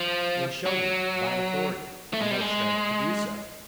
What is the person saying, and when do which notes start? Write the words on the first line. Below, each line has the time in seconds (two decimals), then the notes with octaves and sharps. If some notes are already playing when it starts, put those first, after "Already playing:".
Then show me thine authority and thy strength to do so!
Already playing: F3
0.66 F#3
2.13 A3
2.22 G#3
2.31 G3
2.41 G#3